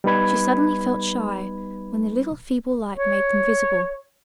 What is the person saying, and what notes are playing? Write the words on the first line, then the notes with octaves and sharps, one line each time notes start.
She suddenly felt shy, when the little feeble light made them visible.
G3 B3 D#4 B4 B5 G#6
C#5